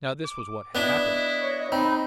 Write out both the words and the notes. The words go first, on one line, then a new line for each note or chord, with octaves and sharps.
Now this was what had happened.
D6
B3 D4 E4 D#5
C#5
C4 D#4 B5